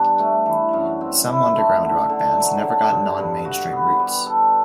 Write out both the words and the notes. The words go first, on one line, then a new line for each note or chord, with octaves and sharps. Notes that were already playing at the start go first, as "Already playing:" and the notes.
Some underground rock bands never got non-mainstream roots.
Already playing: G2 B3 D4
A3
E3
F#2
C4
E4
A3
D3
D3
F#3
D3
G2
G2
F#4
B3
G3
A4